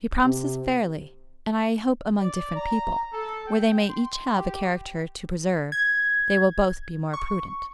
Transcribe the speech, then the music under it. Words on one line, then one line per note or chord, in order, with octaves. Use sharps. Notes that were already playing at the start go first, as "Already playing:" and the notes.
He promises fairly; and I hope among different people, where they may each have a character to preserve, they will both be more prudent.
C3
D5
A#5
A4
G5
C6
G4
G#6
C#6